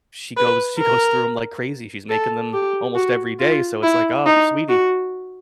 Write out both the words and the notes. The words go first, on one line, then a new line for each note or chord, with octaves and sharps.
she goes she goes through 'em like crazy, she's making them almost every day, so it's like, "Oh, sweetie,
B4
A#4
A4
G4
F#4
F4
E4
D#4
F#4